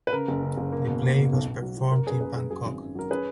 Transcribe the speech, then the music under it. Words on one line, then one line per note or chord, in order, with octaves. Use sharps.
The play was performed in Bangkok.
B4
C#3 A#4
F#1
C#3
F#1
A#3
B2
A#3
B2
B1
B1
F#3
F#3
F#2 A#4
F#2 G#4 B4
A#3 G#4 B4
F#2 G#4
F#3 G#4
G#1
F#2
F#3 A#4
C#4 G#4 B4